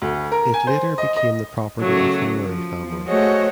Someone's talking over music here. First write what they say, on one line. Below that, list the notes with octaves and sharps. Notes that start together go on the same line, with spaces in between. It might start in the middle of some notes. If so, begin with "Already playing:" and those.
It later became the property of the Murray family.
D2
A#4
G#5
C5
D#5
D#5
C#3 F#3 A3 A#3
F3
A3 F#4 G#4 C5 C#5 D#5